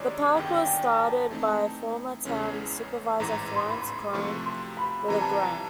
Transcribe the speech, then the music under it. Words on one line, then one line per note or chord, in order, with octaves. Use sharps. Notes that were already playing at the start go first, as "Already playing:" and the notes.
The park was started by former Town Supervisor Florence Corron with a grant.
Already playing: C3 D#3 G#3 C#4 E4 C#5 D5
G1 G2 D#3 G5
G5
G#5
A#5
A5
E3 A3 C4 D#4
E2 C#3 E3 G#3 C#4
A1 G#2 E3 A#5
C6
B5
C3 F3 A3 C4 E4 C#6
C6
B5
C3 E3 G3 C4 A#5
A5
A#5